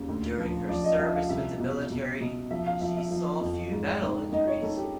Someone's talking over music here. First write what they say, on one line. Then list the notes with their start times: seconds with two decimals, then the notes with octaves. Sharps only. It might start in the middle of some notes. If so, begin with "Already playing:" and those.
During her service with the military, she saw few battle injuries.
Already playing: D#2 C#3
0.08 D2
0.39 F3
0.69 F3 D5
0.84 D#5
0.99 F3 E5
1.15 F5
1.29 C2 E5
1.60 B2
1.90 B2
2.20 B2
2.51 F3 E5
2.66 F5
2.81 F3 E5
2.97 E5
3.11 F3
3.41 F2
3.72 G#2
4.02 D#3
4.32 D#3 D#5
4.47 C#5
4.62 D#3 A4
4.77 G4